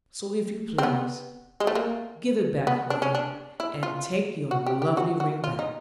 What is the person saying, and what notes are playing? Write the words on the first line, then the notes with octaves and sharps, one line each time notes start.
So, if you please, give it back again, and take your lovely ring back.'
C4
B3
G#3
A3
A#3
B3
D4
C#4
D4
E4
F4
F#4
G4
G4
F#4
F#4
F4
D#4